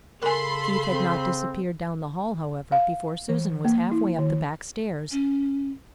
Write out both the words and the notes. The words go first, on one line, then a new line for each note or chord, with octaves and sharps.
Keith had not disappeared down the hall, however, before Susan was halfway up the back stairs.
C#3 A4 A#4 G#5 B5 C6
C4
F5
E3
A#3
E4
D#3
C#4